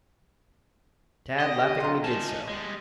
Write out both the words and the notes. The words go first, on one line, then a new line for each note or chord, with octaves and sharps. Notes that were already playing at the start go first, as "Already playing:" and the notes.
Tad laughingly did so.
G4 D#5
F#3 F4
C#4 D#4 A5
G3 G#3